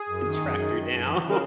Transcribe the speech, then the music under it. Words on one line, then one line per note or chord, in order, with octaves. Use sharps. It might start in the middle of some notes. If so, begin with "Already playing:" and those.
tracked her down
Already playing: G#4
F#2
D#3
F#2
D#3
F#2
F#2
E3
C#3
A#4